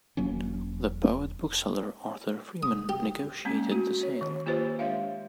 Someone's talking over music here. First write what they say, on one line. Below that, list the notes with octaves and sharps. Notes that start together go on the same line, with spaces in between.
The poet-bookseller Arthur Freeman negotiated the sale.
E1 F#3 A#3 C#4
D#6
G4
G#3 A#3 C4 C#4
F#4
C#5
D#3
A#3 F4 G4 B4 C5 D#5
G#3 D4 C#5 E5 F5